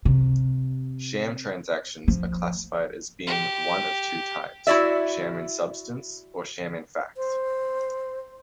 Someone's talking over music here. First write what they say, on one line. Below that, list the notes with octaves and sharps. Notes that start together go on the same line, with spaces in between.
Sham transactions are classified as being one of two types, sham-in-substance, or sham-in-fact.
C3
F3
G4
E4 F#4 D5 E5
C5